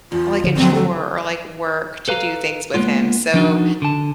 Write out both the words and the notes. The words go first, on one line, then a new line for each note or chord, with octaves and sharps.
like a chore or like work to do things with him, so,
E2 F4
D3 F3
D2 F#3 C4
A4
A4 B4 F5 A#5
G#3 A#3 B3 F4
F3 D4 D#4 F#4
D3 A5